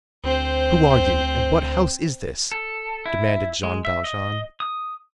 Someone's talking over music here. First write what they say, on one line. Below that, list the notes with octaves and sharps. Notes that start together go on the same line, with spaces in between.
"Who are you? and what house is this?" demanded Jean Valjean.
D2 C4 C5
A4
E4
G#3
E5
D#5
D#6